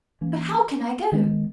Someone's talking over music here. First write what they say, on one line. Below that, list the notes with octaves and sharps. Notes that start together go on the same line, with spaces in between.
But how can I go?
E3 A#3 C#4
D#3 G#3 B3